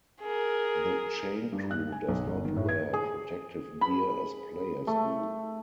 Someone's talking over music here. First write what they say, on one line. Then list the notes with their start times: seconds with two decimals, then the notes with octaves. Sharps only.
The chain crew does not wear protective gear as players do.
0.22 G#4 A#4
1.52 G2
1.71 F#6
1.92 G#5
2.08 B1
2.27 G1
2.45 D#3
2.56 A2
2.69 G#6
2.93 G#4
3.81 B5
4.87 A3